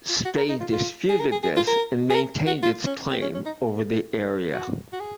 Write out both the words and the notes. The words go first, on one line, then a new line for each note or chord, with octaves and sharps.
Spain disputed this and maintained its claim over the area.
F4
F#4
A#4
D#4
F4
F4
G#4
A#4
G#4
G#4
F4
A#4
G#4
A#4
F#4
F4
C#4
C4
C#4
C#4
D#4
F#4
F#4
G#4